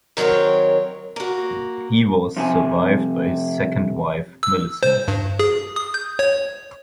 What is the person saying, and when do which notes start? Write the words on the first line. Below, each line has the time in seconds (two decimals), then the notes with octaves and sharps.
He was survived by his second wife, Millicent.
0.17 D#3 F#3 C4 A#4 C#5
1.16 A#3 F#4
2.37 F2 C3 G#5
4.43 E6
4.83 C5
5.08 G2
5.39 G#4
5.76 D#6
5.94 G6
6.19 C#5